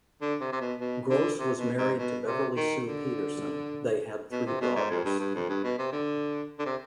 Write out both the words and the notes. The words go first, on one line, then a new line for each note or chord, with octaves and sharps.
Gross was married to Beverly Sue Peterson; they had three daughters.
D3
C3
C3
B2
B2
D3
C3
B2
G#2
B2
C3
D#3
D3
B2
C3
B2
G#2
F2
G2
G2
F2
G2
B2
C3
D3
D3
C3